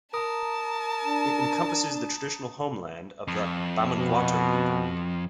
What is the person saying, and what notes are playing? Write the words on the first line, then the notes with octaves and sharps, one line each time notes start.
It encompasses the traditional homeland of the Bamangwato people.
A#4 A5 A#5 D#6
D4
F2
B2